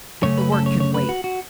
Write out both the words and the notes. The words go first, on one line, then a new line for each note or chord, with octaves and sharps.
The work can wait.
F#2 C#3 A3 C#4 C#5
B4
A4
C#5
C#5
B4
F#4
F#4